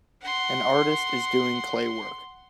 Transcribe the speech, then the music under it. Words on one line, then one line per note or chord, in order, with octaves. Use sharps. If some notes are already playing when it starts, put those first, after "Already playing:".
An artist is doing clay work.
F#5 C6